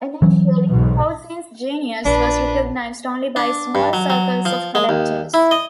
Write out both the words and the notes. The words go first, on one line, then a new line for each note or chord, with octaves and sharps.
Initially, Poussin's genius was recognized only by small circles of collectors.
E3 F#3 C#4
B1 G#2 B2
A#1 D4 B4
D4
G2
F#3
F#3
F3
G#3
D#2
E4
D#5